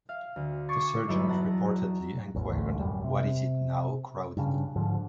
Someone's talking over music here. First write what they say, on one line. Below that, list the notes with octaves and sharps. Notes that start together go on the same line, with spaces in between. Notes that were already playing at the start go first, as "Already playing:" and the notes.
The sergeant reportedly enquired What is it now, Crowden?
F5
D2
C#6 D6 G#6 A6 C7
G1 E2 F#3 D#4 B4 B5
F#5 A5 A#5
A1 E2
A1 D2
E1 F#2 G3
C3
G2 C#3
G#2 D3 F3